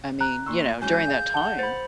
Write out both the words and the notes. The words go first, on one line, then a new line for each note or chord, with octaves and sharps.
I mean, you know, during that time.
A#5 F#6
A#2 C6 C#6 E6
G#2 F#3 C#4 G#5 G6
G#4 F5
F#5 A5 G7
C5 B5 A6